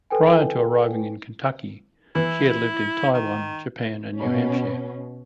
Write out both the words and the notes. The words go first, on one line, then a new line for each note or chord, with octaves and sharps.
Prior to arriving in Kentucky, she had lived in Taiwan, Japan, and New Hampshire.
A4 B4 G5 G#5
E3 E4
D#3
B2 C#4